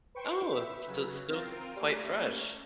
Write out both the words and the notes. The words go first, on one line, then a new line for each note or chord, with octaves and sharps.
Oh, so still quite fresh.
B4 C5 G5 C#6
E5
C#3 F#3
C4 F4 A#4
G3 A3 A#3 C#4